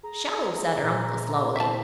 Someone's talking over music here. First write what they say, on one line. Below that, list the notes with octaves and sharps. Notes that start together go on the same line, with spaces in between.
"Sho!" said her uncle, slowly.
G#4 A#5
A#2 C5 A#5
D#4 E4 C5 E5 G5 A5